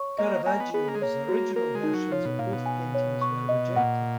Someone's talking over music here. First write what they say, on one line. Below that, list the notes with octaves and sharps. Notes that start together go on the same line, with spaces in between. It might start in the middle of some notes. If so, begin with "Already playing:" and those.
Caravaggio's original versions of both paintings were rejected.
Already playing: C#5 C#6
A#3 D#5
A#3 G#5
B3
B3 G#4
A#3
G#3
A#3 C#5
F#4
A#3 A#4
G#3
D#4
F#3
F3 C#5
B2
A#2 F5
B2
G#5
C#5
C#6
D#5
A#2 F#5